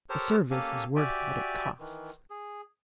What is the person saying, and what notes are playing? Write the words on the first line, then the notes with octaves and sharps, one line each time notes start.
A service is worth what it costs.
G4 A4 A#4 C5 C#5
A#3 C#4 G4 A4 F5 G#5
F#4 G4 D5 E5 G5 G#5
D#3 E3
G#4